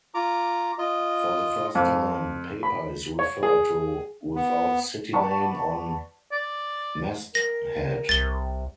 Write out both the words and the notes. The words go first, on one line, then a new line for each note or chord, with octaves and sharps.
For the first time, paper is referred to without city name on masthead.
F4 A#5 D6
F4 D#5
F2
B5
C#5
G#4
B3
B4 D5 F#5 A5 B5 C#6
D5
A#4 A#6
C2 A6 G7